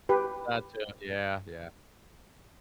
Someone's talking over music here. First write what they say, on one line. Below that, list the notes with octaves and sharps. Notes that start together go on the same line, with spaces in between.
That too yeah, yeah.
G4 B4